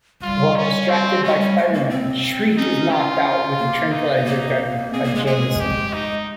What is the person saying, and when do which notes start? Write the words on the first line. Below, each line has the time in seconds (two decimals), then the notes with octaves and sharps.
While distracted by Spider-Man, Shriek is knocked out with a tranquilizer gun by Jameson.
0.22 G3 F4
0.56 C#4
0.89 C4
1.23 G#3 C#4
1.40 G3
1.57 G#3
1.73 A#3
1.90 C4
2.57 C#4 D#4
2.91 F4
3.58 A#3
3.92 D#4
4.26 A#3
4.93 C4 G#4
5.04 A#3
5.15 G#3
5.26 G#3 G#4
5.60 G4
5.93 D#4